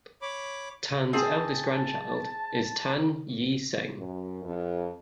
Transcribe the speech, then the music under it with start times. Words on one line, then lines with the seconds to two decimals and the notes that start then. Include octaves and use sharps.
Tan's eldest grandchild is Tan Yee Seng.
0.22 C#5 B5 D6
1.13 C4 G#4 G#5 A5
3.97 F#2
4.44 F2